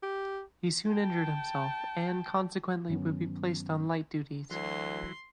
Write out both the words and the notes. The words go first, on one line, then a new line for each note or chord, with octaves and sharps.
He soon injured himself and consequently would be placed on light duties.
G4
G5 A5
G2 D#3 F#3 B3 C#4
D2 E3 F#3 C6